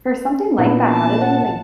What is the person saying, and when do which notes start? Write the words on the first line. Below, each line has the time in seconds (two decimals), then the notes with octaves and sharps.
for something like that, how do they even
0.58 A#2 B3 C#4 D4 E4
0.88 A5
1.21 F#5